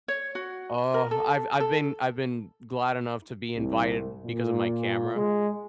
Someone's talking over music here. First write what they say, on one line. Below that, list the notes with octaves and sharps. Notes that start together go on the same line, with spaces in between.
uh, I've I've been I've been glad enough to be invited because of my camera,
C#5
F#4
A#4
A4
A4
C2
A#2
G#3